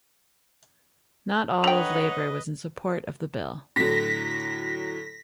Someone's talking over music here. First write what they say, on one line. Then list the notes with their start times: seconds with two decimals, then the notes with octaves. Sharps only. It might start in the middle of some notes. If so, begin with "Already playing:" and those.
Not all of Labor was in support of the bill.
1.64 D3 B4 C#5 D#5 F#5 G5 A#5 B5
3.76 A2 D3 F#3 A#6 B6